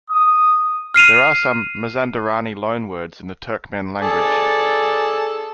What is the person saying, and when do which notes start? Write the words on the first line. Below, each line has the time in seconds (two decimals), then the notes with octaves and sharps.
There are some Mazanderani loanwords in the Turkmen language.
0.10 D#6
0.94 F6 C7 D#7 F7
4.02 G#4 A4 D5